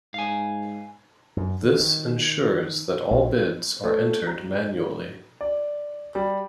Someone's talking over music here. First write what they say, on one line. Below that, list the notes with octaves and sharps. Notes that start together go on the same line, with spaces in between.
This ensures that all bids are entered manually.
G#2 F5 G#5
F#2
D3
D#3
A#1
A3
A#5
D5
G3